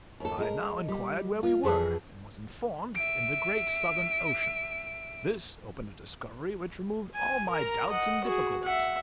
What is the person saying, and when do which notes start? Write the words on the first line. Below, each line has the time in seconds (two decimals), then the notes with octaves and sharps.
I now inquired where we were, and was informed, in the great Southern Ocean; this opened a discovery which removed all my doubts and difficulties.
0.20 D#2 A4
0.38 G#3 A4 A#4
0.88 G3
1.43 F4
1.63 F2 E3 G#4 A4 B4 A5
2.95 E5 D7
7.15 G#5
7.50 A#4 A#5
7.90 D#5 F#5
8.24 F#4 G#4
8.63 E5 F#5